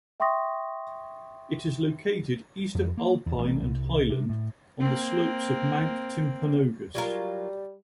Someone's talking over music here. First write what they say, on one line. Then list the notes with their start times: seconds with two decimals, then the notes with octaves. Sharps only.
It is located east of Alpine and Highland on the slopes of Mount Timpanogos.
0.20 E5 G5 C6 C#6 D#6 A#6
2.75 F2
2.98 A#3
3.26 E2
3.38 A1
3.63 C2
4.10 C3
4.29 A2
4.80 A#3 C4
6.95 F#3 G3 F4 A#4